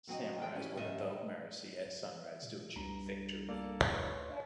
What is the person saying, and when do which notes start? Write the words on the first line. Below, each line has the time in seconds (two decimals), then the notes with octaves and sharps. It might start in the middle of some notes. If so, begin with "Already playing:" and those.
Samurai would invoke Marici at sunrise to achieve victory.
0.07 D3 F#3 C4 D#5
0.38 G#3 F4 A4 G5
0.55 C#4 E4 G4
0.75 G#2 D#3 G3 F#4 D#5 E5
2.43 A#2
2.76 C2 G2 A#5
3.49 A#3 A4 D5
3.94 D2 B4 C#5 C6